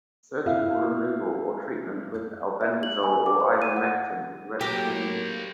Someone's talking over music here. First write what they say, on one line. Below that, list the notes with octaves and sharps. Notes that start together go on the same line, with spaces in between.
Surgical removal or treatment with albendazole or ivermectin is recommended.
E4 E5 F5
E5
F#7
G#5
D6
C5
D#7
F#5
F#3 A#3 G4 A#4 C5